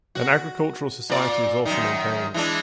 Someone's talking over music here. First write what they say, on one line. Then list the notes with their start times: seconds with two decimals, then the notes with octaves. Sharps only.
An agricultural society is also maintained.
0.15 F#4
1.10 A#2 D5
1.65 F#2 D#3
2.34 E3 G#3 D4